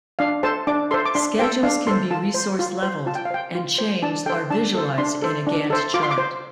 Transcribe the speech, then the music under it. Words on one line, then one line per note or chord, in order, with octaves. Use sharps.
Schedules can be resource leveled, and chains are visualized in a Gantt chart.
D4 F5
A4 C5 A5
D4 D6
A4 C5 C6
D6
D4 C6
A4 C5 G5
D4 F5
A4 C5 C6
F4 A5
C5
F4
C5
F4 A5
G5
F5
C5 G5
F4
C5
D4 A5
A4 C5 G5
D4 A5
A4 C5
D4 C6
A4 C5
D4
A4 C5
F4 D6
C6
D6
C5